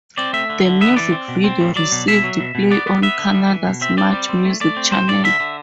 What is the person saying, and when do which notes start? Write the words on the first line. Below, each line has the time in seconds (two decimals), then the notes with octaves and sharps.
The music video received play on Canada's MuchMusic channel.
0.18 C4 D5
0.33 A3 E5
0.50 D3
0.65 D3
0.81 B3 E5
0.96 E3 D5
1.12 C4
1.28 B2
1.44 C4
1.60 A2
1.76 F#3 D5
1.92 B2
2.08 B2 E5
2.24 F#3
2.40 B2
2.55 B2
2.70 B3 D5
2.87 B3
3.02 B3 E5
3.19 D3
3.34 G3
3.50 E3
3.67 B2
3.81 C4 E5
3.97 C4 D5
4.13 G3
4.29 C4
4.45 A3
4.61 A3 D5
4.77 C4
4.92 A2 C5
5.08 A2 D5
5.24 D3 E5
5.40 D3